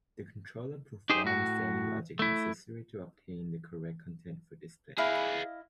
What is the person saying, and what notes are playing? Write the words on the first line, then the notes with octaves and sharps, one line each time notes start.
The controller performs any logic necessary to obtain the correct content for display.
D#4 G4 G#4 C5
A2 F#4
A3 E4
E4 G#4 B4 D#5 F5